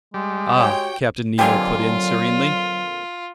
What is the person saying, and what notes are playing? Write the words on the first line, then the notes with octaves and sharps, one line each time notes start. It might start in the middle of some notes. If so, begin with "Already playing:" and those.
"Ah!" Captain Nemo put in serenely.
G3 G#3
F#4 G4 C#5 G5
F2 A#2 D3 F#3 F4 G4 G#5